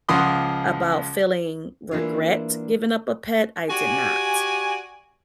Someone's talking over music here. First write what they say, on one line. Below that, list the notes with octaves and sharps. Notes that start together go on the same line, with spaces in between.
about feeling regret giving up a pet, I did not.
C#2 F3 F#5 C6 D#6
E3 A#3 D4 E4 F4 C#5
F#4 G4 D5 G#5